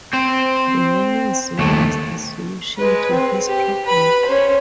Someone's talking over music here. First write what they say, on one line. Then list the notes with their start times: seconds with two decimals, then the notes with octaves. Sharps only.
The Learning Zone was the solution to this problem.
0.13 C4 C5
1.59 D#2 A3
2.77 G#3 B4
3.10 C4
3.48 G4
3.85 B4 B5
4.25 C#4 C5